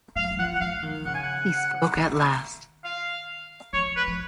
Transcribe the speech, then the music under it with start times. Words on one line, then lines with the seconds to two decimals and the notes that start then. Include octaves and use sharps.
He spoke at last.
0.16 F#3 F5
0.31 F#3
0.39 F3 F#5
0.55 F#5
0.61 F3 F5
0.83 D#3
1.05 C#3 F#5
1.15 G#5
1.23 F#5
1.95 D#3
2.84 F5
3.73 F3 C#5
3.96 B4
4.08 F3